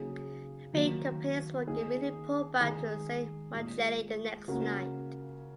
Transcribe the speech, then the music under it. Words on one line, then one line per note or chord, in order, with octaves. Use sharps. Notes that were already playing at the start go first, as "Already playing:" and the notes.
The three companies were immediately pulled back to San Micheli the next night.
Already playing: C#3 F#3 A#3 D#4 G#4
D#3 F#3 A#3
D#3 A#3 D#4 G#4
D#3 G#3 D#4 G#4
A#2 G#3
C#3 A#3 F#4 A#4